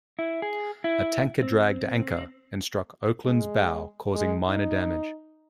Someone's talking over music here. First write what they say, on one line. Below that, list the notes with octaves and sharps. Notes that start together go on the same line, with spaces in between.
A tanker dragged anchor and struck "Oakland"s bow, causing minor damage.
E4
G#4
E4
C4
G#3
G#3
D#4